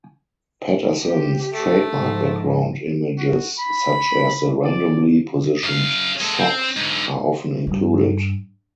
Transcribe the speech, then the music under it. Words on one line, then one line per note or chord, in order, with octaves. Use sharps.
Paterson's trademark background images, such as the randomly positioned socks, are often included.
G4
A3
G#2 F3
F#4
B5
D5
F#2 F5
G#3 A4
C4
G#2 D3
G2